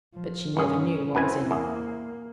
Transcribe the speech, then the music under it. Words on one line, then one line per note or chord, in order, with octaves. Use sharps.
But she never knew what was in it.
F3
G1 C#4 G#4
F#2 C4 E4 B4 G#5
E2 A#3